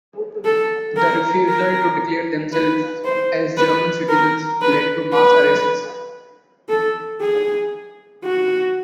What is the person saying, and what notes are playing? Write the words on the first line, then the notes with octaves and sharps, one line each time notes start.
The refusal to declare themselves as German citizens led to mass arrests.
A4
A#4
A#4
B4
C5
B4
A#4
B4
B4
A4
G#4
F#4